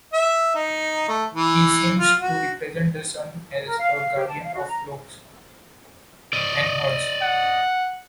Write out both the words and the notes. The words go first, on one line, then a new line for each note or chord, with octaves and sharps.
He seems to represent the sun as a guardian of flocks and herds.
E5
D#4
A3
E3
F4
F#4
A#4
F5
F5
G4
A5
F5
F#4
A#5
D5 D#5
F#5